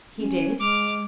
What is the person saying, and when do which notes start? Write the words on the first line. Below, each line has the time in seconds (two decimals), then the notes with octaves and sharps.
"He did."
0.17 C#4
0.59 G#3 D6 F6